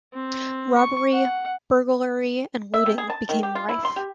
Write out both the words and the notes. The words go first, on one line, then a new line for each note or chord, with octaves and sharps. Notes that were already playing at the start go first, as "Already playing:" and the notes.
Robbery, burglary and looting became rife.
C4
C#6
F#5
E5
C3
G#4
A5
D#3
G4
F4
E4
C6
G4